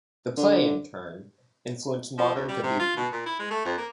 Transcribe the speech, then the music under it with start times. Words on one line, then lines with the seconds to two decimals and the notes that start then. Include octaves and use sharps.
The play, in turn, influenced modern Kabuki.
0.37 D3
2.18 F3
2.35 D2
2.48 G3
2.63 C3
2.79 F4
2.97 B2
3.12 A#2
3.26 E4
3.39 G#3
3.51 A3
3.65 F2
3.78 A#3